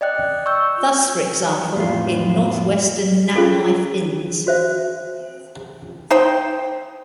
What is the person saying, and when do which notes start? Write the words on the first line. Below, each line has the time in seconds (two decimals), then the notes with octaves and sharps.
Thus, for example, in Northwestern Nat Life Ins.
0.01 D5 D#5 G5 F#6
0.46 C#6 E6 G6
1.76 F2 A2 F4
3.36 C#4 F4 G#4 A4
4.47 F#4 C5 E5
6.10 D#4 C5 G5